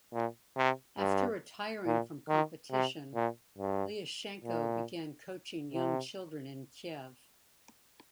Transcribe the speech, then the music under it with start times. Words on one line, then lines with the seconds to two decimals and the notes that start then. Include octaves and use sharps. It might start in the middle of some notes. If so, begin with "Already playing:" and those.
After retiring from competition, Liashenko began coaching young children in Kiev.
0.13 A#2
0.57 C3
0.99 G2
1.86 A#2
2.28 D#3
2.71 C3
3.14 A#2
3.58 G2
4.44 A#2
5.73 C3